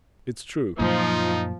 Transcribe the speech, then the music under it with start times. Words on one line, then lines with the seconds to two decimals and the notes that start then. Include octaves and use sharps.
"It's true."
0.79 F#2 A#2 F3 D#4